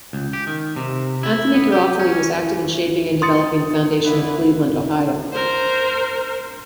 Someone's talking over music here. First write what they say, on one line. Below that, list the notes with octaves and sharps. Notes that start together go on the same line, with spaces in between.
Anthony Garofoli was active in shaping and developing the foundation of Cleveland, Ohio.
C#2
G4
D#3
C3
E4
B3
G4
C#4
C6 D#6 A6 C#7
D3 E4 B4
A#4 C5